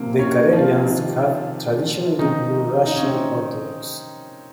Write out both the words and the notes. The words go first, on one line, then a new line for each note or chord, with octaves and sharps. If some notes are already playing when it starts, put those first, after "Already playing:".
The Karelians have traditionally been Russian Orthodox.
Already playing: C3 F3 A#3
C#4 C#5
F3 F4
C3 D#3
C3 D#3 F3 D#4
D#4
C#4
C4
C#4